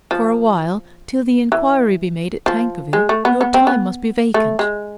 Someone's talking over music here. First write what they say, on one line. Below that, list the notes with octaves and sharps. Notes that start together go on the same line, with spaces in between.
For a while, till the inquiry be made at Tankerville, your time must be vacant.
F3
E3
F3
G#3
A3
B3
B3
C4
B3
A3
G#3